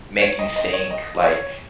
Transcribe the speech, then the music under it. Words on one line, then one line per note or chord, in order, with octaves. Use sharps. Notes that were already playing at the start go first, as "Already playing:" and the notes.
make you think, like,
C#5
D#5
D#5
C#5
D#5
C#5